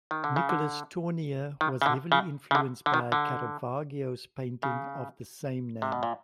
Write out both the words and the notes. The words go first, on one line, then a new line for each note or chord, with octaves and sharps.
Nicolas Tournier was heavily influenced by Caravaggio's painting of the same name.
D#3
D3
C#3
D3
D#3
C#3
D3
C#3
C#3
D3
D3
D#3
D3
C#3
C3
B2
A#2